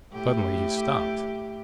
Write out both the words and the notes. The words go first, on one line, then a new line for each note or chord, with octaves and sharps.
Suddenly he stopped.
A2 G4